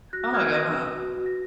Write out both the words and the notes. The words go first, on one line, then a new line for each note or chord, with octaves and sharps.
Oh my god.
F#4 F#6 A#6
F#6 A#6
F#4 F6 G#6
F6 G#6
B4 F#6 A#6
B4
F#4
F#4
A#6